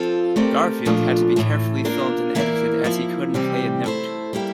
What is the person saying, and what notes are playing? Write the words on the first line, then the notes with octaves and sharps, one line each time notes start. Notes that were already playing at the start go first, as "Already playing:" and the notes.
Garfield had to be carefully filmed and edited as he couldn't play a note.
Already playing: F3 C4 F4 A4
A3 C4 G4 A#4 D5
A#2 F3 A3 D4 F4
A2 E3 A3
A#3 D4 F4 A#4
E3 A#3 E4 A#4 D5
F3 A#3 E4
C3 E3 G3 C4 G4
A3 E4 A4 C5
G3 A#3 E4 G4